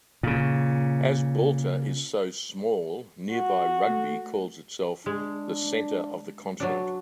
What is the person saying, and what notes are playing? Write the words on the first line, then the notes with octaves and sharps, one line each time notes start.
As Balta is so small, nearby Rugby calls itself the center of the continent.
A#2 C#3
F#4
A3
G#3 D4
F#3 D4